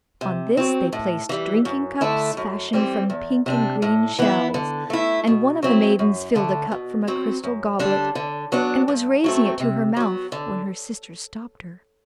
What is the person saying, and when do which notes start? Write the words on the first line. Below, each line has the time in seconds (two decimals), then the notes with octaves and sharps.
On this they placed drinking cups fashioned from pink and green shells, and one of the maidens filled a cup from a crystal goblet, and was raising it to her mouth, when her sister stopped her.
0.21 C3
0.57 F#3 C4
0.92 A2
1.29 E3 G3
1.65 F#2
2.01 D3 A3 E4
2.37 F#2
2.73 E3 G3 C4
3.10 E2
3.46 C3 G3 D4
3.82 A2
4.19 E3 B3 E4
4.54 D3
4.90 A3 E4
5.27 B2
5.63 F#3 C4 E4
5.99 F#2
6.35 D3 A3
6.72 B2
7.07 F#3 C4
7.44 F#2
7.79 D3 G3 D4
8.15 D3
8.52 F#3 B3 D4
8.88 G2
9.24 F#3 A3 C4
9.60 C3
9.97 F#3 B3
10.32 D3